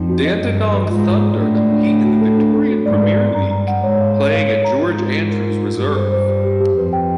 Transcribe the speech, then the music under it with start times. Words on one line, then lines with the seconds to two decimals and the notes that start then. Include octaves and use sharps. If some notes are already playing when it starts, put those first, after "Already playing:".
Dandenong Thunder compete in the Victorian Premier League, playing at George Andrews Reserve.
Already playing: F2 D#4
0.09 F#4
0.25 D#5
0.41 G2 D#5
0.58 B4
0.74 B4
0.90 G#2 F4
1.06 F4
1.24 D5
1.39 A2 D4
1.56 D5
1.71 D4
1.89 D4
2.04 F#4
2.21 A4
2.38 D4
2.54 A4
2.69 F#4
2.86 G#2 D5
3.03 B4
3.19 D5
3.34 G2 A#5
3.51 A#5
3.67 F#5
3.83 G#2 C#5
4.00 F5
4.16 C#5
4.32 F5
4.48 C#5
4.65 A#5
4.81 G#2 F4
4.98 F4
5.14 F4
5.31 A#4
5.46 F4
5.62 F4
5.79 G2 G4
5.96 C5
6.12 C5
6.27 G4
6.45 G4
6.60 G4
6.77 F2 B4
6.93 G5